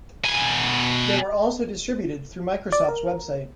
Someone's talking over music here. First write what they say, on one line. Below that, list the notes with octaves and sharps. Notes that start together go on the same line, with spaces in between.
They were also distributed through Microsoft's website.
B2 G#5
D5
A#4